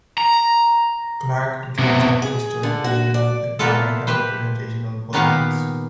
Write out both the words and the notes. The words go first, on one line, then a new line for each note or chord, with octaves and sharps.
Clarke became one of historic women in Jamaican representational politics.
A#5
C3 B3
G#4
D3
F#4
D5
A#3 B3 E4 F4 A4
G4 B4 C5
A#2 D#3 B3 G4 F5 F#5